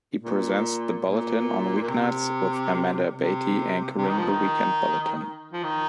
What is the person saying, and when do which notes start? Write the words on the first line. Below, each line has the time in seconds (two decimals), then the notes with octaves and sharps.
He presents the bulletin on weeknights, with Amanda Abate anchoring the weekend bulletin.
0.23 A#2
1.07 A#2
1.82 A#2
1.89 C3
3.14 C3
3.97 C3
4.08 D#3
4.18 F3
4.28 D#3
5.53 F3
5.63 D#3